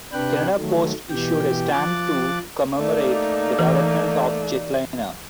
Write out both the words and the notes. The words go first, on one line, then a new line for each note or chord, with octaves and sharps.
Canada Post issued a stamp to commemorate the development of the Jetliner.
C3 D4 B4 G5 F#6
D#3 F#3 A3
B2 E3 G4 G5
F3 D6 F#6 A6
A3 A#3 D#4 D5
E3